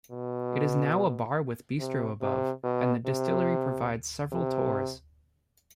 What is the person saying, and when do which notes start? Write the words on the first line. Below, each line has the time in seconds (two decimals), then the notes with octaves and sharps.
It is now a bar with bistro above, and the distillery provides several tours.
0.11 B2
1.80 C3
2.21 C3
2.63 B2
3.05 C3
4.32 C3